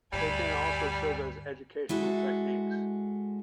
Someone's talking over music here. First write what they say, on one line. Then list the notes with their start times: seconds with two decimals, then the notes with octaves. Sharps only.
They can also serve as educational techniques.
0.13 D2 G2 G3 D5 G#5 B5
1.89 G#3 E4 F#4 A4